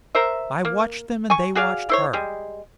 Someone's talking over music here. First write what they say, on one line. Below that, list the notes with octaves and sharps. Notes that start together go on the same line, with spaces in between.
I watched them and they watched her.
A#4 C5 E5
A#3
G#5 C#6
F#4 G#4 D5 F5
E4 C5 C#5
G3 G#3